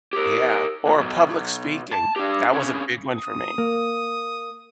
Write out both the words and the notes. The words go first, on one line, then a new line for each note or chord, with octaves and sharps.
Yeah, or public speaking. That was a big one for me.
G4 A#4
C#2 B2
B2 F#3
A5
D4 G4
D3 C#4
D#6
A#3